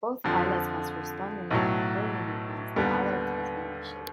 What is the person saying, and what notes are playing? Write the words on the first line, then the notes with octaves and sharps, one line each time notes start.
Both pilots must respond and act accordingly once the alert has been issued.
F2 D3 F3
B1 A2 F#3
D#2 D3 G3 B3